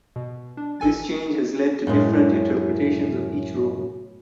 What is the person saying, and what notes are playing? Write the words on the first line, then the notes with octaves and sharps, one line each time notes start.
This change has led to different interpretations of each role.
B2
D4
A1 A4 G#5 A6
F#2 A2 G#3